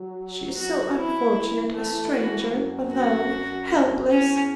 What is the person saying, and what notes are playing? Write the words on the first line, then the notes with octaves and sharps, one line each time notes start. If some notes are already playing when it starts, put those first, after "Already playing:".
She is so unfortunate, a stranger, alone, helpless!
Already playing: F#3
F#4
E3 E4
A3
F#4
F#2
F#4
E2 C#4